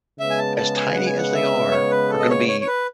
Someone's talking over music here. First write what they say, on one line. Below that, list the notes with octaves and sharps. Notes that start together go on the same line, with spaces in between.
as tiny as they are, are gonna be
C#3 G#3 B3 E5
G#5
A5
A5
G#5
F#5
G#5
F#5
E5
C#5
B4
A4
D#5
C#5
C#5
C#5
B4